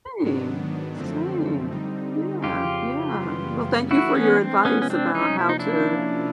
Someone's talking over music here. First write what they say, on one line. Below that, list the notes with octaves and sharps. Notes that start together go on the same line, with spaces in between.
Same, same. Yeah, yeah. Well, thank you for your advice about how to
G#2 D#3 F#3 B3 D4
F#2 D3 F3 A3 C4
D3 G3 C4 D#4
F2 C#3 F3 F4 G4
F#2 C#3 E3 G3 B3
E3 A3 D4 E4 F#4
B3 C#4
C4
C3 F3 G#3 B3 C#4
C#4
C4 D4
C#4 D#4
C3 F3 A#3 C#4 E4 F4
D#4
D4 E4